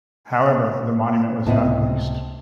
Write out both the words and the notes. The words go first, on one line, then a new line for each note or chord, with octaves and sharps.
However, the monument was not greased.
C#2 A2 C3 B3 D#5 A5